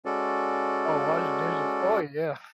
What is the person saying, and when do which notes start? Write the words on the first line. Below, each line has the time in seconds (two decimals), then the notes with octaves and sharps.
Oh, washing dishes. Oh, yeah.
0.05 G#3 C#4 F#4 A4 D5